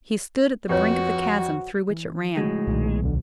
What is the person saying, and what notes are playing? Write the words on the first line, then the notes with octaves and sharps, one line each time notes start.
He stood at the brink of the chasm through which it ran.
F2 F#4 G4 B4 C#5
E3
A2 C#3 F3 G#3 F#4
B1 A#2 D#3
D2 B2 D3